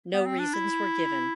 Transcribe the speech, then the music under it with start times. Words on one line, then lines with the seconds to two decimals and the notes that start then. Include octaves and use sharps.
No reasons were given.
0.13 B3
0.26 C4
0.40 D4
0.54 E4